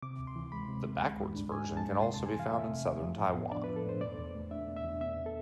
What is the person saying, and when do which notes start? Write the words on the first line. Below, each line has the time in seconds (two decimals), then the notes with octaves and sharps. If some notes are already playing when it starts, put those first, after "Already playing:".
The backwards version can also be found in Southern Taiwan.
0.03 C3 D6
0.19 D2
0.27 C6
0.36 E3
0.52 G#3 B5
0.69 C3
0.86 D2
1.02 G#3
1.19 G#2
1.35 D4
1.52 G#2 G#5
1.68 G#3
1.77 A5
1.85 G#2
2.01 C3 C6
2.14 A5
2.19 F2
2.26 G#5
2.35 E3 F5
2.52 A3 E5
2.68 C3
2.84 F2
3.02 F3
3.18 A2
3.35 B3
3.51 D4 D5
3.64 B4
3.68 F3
3.76 A4
3.84 A2 C5
4.01 B2 D5
4.17 E2
4.34 A3
4.51 D4 E5
4.68 B2
4.77 E5
4.84 E2
5.01 B3 E5
5.17 B2
5.26 A4